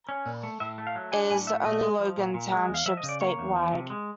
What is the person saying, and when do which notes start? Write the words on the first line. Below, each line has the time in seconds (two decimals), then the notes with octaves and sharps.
It is the only Logan Township statewide.
0.09 C#4
0.26 A#2
0.43 A3
0.60 A2 E5
0.78 A3
0.87 F5
0.95 F#3
1.12 D4 G#5
1.30 A2 G#5
1.47 A3 E5
1.65 A#2 D#5
1.82 G#3
2.00 F3
2.17 A#2
2.34 A#2
2.52 G#3
2.69 E2
2.74 F5
2.86 F3 E5
2.97 D#5
3.03 C#3
3.09 D5
3.21 A#3 C#5
3.39 E2
3.56 F3
3.72 C3
3.90 G#3